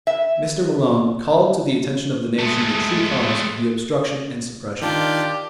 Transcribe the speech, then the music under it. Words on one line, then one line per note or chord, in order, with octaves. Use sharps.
Mr. Malone called to the attention of the nation the true cause of the obstruction and suppression.
E5
G#3 A3
D#3 D4 F4 G4